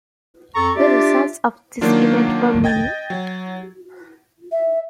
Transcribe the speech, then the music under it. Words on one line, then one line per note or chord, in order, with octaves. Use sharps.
The results of this event were many.
F2 A4 A#5 C#6
D4 F4 G4 D5 E5
D#3 F#3 A#3 D4 F4
D#5 G5 G#6 A6
F#3
E5